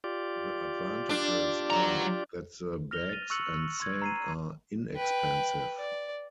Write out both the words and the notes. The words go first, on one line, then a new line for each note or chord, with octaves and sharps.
The advantages are that the bags and sand are inexpensive.
F4 G4 D5
D4
F#3 A#5
F6 A#6 F7 G7
A6 D#7
C#6 E6 F#6 C#7 F#7
C6 G#6
A#5 C7 D#7
B4 G5
D5